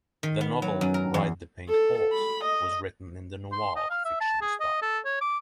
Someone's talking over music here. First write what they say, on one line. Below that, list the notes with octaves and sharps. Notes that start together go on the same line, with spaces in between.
The novel "Ride the Pink Horse" was written in the noir fiction style.
D#3
B3
F#3
F#2
A#4
E2
A4
B5
D#5
C6
D#5
F5
E5
A5
G#4
D#5
A4
C#5
D6